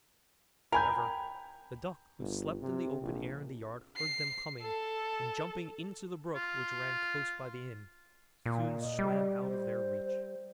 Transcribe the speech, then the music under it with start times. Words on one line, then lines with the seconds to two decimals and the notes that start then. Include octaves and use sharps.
However, the duck, who slept in the open air in the yard, heard them coming, and jumping into the brook which ran close by the inn, soon swam out of their reach.
0.72 A#4 G5 G#5 B5 G6
2.19 G1
2.62 C3
3.02 A#1
3.97 C7
4.62 A4
6.35 F4
8.46 A#2
8.81 D#5
8.99 G3
9.48 C5